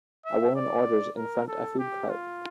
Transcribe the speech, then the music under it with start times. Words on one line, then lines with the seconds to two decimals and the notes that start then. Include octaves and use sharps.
A woman orders in front a food cart.
0.25 E5
0.55 D5
1.16 A#4
1.48 A4
1.79 G4
2.09 F4